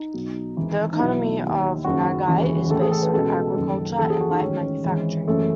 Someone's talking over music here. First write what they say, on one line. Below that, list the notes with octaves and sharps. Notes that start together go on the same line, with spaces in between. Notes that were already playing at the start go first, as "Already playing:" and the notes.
The economy of Nagai is based on agriculture and light manufacturing.
Already playing: D#4
B1 B2
G#1 G#2 E3
D#4
B1 B2 E4
D#2 D#3
F#1 F#2 D#3 F#4
E1 D#2 C#3 E3
A1 A2 E3 A4
G#4
A4
B4
C#2 B2 A4
F#1 F#2 D#3
D#2 C#3 E3 A4
G#4
F#4
D#4
A1 G#2 D#3 C#4
G#1 G#2 E3
F#1 F#2 E3 A3